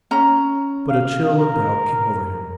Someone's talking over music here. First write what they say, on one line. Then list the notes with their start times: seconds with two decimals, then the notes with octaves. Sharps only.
But a chill of doubt came over him.
0.11 C#4 A#5
0.89 F5
1.38 A#4